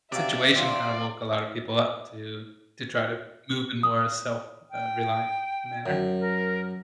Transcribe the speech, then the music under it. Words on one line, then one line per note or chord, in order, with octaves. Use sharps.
situation kinda woke a lot of people up to to try to move in more a self, uh, reliant manner.
C3 F#4 D5 E5 F5
C4 F4
D#6
G5
F#2
A#4